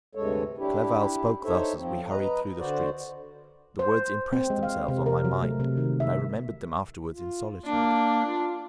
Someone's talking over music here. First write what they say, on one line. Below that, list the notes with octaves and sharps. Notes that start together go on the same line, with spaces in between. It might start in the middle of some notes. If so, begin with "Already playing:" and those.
Clerval spoke thus as we hurried through the streets; the words impressed themselves on my mind and I remembered them afterwards in solitude.
D2 G2 C3 G#3 A4 C#5
D4 E4 G4
D#4 A4 C5 C#5 E5
F3 C4
B4 D#5 A#5
D3 F#4 C5 D5
C5
C4
G#3
F5
C3
A#4
F#3
A3
C3
D#3
E5
F4
A#3 D4
F4